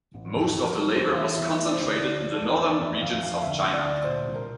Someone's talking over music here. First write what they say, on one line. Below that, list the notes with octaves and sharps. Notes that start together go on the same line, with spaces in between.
Most of their labour was concentrated in the Northern regions of China.
A1
F2 A4
F2
A#4
G3
E2 C5
F5
E3 E5
E2 E5
A3 E5
D5
C5
D2 D5
D2
F3
A4
E2 A#4
E2 C5
D5
F2 E5
F2 F5
F2 F5
F5
D2 E5
D2
D5
D2
A#2 C5
C2
A#4